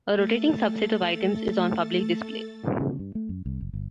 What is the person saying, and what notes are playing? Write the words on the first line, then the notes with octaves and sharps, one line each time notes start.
A rotating subset of items is on public display.
A3 A4 A6
C#3
G2
A3
F#2
C2
F#1
G1